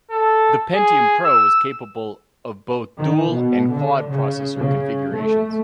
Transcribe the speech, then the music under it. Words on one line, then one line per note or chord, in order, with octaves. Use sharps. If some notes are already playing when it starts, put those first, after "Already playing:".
The Pentium Pro was capable of both dual- and quad-processor configurations.
A4
G#4
E6
D#3
B2
D3
C#3
C#3
A3